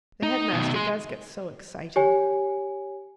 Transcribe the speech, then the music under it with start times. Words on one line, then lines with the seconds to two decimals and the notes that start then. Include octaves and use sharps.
The headmaster does get so excited.
0.23 D#4
0.52 B2 D#3
0.74 G#4 C6
1.96 G4 C#5 G#5